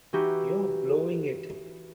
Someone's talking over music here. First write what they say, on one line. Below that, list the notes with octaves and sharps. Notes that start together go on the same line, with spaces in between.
You're blowing it!
E3 D#4 F#4 G4